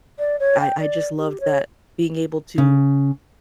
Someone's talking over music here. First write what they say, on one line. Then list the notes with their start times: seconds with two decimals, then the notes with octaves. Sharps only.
I I just loved that being able to
0.19 D5
0.40 C#5
0.60 G5
0.80 D5
1.17 G4
1.40 C#5
2.58 C#3